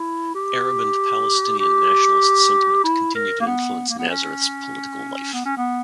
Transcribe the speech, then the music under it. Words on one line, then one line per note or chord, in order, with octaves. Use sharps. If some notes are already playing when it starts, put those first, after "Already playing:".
Arab and Palestinian nationalist sentiment continue to influence Nazareth's political life.
Already playing: E4
G4
G4
E4
A#4
A#3
B3
A#3
B3
C#4
B3
C#4
B3